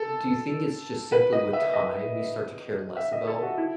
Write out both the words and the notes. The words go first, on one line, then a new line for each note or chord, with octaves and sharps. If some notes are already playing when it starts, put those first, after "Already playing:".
do you think it's just simply with time you start to care less about
Already playing: A4
B4
D#5
E5
D#5
E5
D#5
A4
F#4
E4